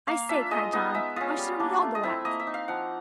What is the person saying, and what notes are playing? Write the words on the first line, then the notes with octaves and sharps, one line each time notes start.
"I say," cried John, "why shouldn't we all go out?"
A#3 F5
D4 F4 E5
G#3 D#5
B3 D#4 D#5
G#3 E5
C#4 F4 D#5
G3
A#3 D4
A3
D#5
C4 E4 E5
A#3 D#5
E5
D#4
F5
F3 F#5